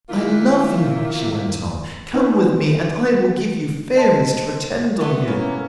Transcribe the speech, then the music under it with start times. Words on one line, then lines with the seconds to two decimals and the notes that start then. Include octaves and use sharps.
"I love you," she went on. "Come with me, and I will give you fairies to attend on you."
0.08 D#3 A#3 E4 F4
2.13 B3 D#4 B4 C5
3.95 C5 D#5 A5 C6
5.01 A3 B3
5.28 A#3 C#4 E4 A#4